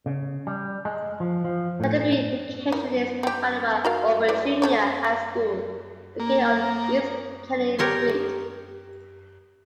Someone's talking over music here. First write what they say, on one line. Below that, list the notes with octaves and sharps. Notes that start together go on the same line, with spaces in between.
Secondary education is provided by Auburn Junior High School, located on East Kenney Street.
C#3
G3
G#3
F3
F3
A2
D#3 E3
C4 G4
F#4 A#4 F5
E3 D5
A3 A4 C#5
A#3
G4 A#4 C#5 C6